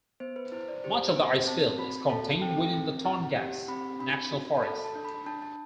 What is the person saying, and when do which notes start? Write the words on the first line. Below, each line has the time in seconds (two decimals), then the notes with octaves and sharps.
Much of the icefield is contained within the Tongass National Forest.
0.20 B3 C5
0.36 B4
0.52 E4 C5
0.68 D5
0.84 G4 C5
1.08 B4
1.16 B3 C5
1.47 C4 A5
1.78 F#4 B5
2.10 A4 A5
2.41 C4 G5
2.73 C4
3.05 E4
3.36 G4 F#5
3.68 C4 B5
3.99 D4 B5
4.32 F#4
4.57 B5
4.63 A4 A5
4.84 A5
4.95 D4
5.05 B5
5.26 D4 A5
5.42 A5